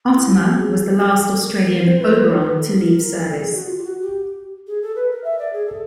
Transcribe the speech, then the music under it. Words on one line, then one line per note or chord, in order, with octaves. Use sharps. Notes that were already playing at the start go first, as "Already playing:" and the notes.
"Otama" was the last Australian "Oberon" to leave service.
E4
F4
G4
F#4
G#4
A4
A#4
A#4
C5
B4
B4
C#5
B4
A4
A#4
A#4
A#4
A4
G#4
F#4
F4
G4
F#4
G4
G#4
A4
B4
A#4
E5
D5
G#4
A4